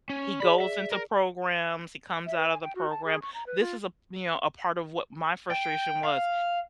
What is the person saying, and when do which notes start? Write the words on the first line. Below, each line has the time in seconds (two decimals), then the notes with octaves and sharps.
He goes into programs. He comes out of the program. This is a, you know, a part of what my frustration was.
0.10 C#4
0.40 G#4 D5 B5
0.60 E5
0.92 A#4
2.26 E5
2.38 B4
2.50 G#5
2.62 G5
2.75 F#4
2.90 A5
3.05 G#4
3.22 C#6
3.34 A#5
3.47 B4
3.60 F4
5.51 G5
6.04 F5